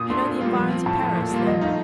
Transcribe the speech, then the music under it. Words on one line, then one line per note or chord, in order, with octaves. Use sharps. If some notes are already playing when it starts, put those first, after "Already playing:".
"You know the environs of Paris, then?"
Already playing: A#2 D#6
A3 D4 C6
A#2
G3 A#3 F4
F3
C4 F4
A2 A5
F3 A3
A#2
G3 A#3 F4
F3 D#5
A3 D#4 F5